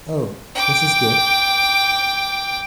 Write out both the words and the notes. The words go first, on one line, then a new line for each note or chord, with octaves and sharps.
Oh! This is good.
G5 D6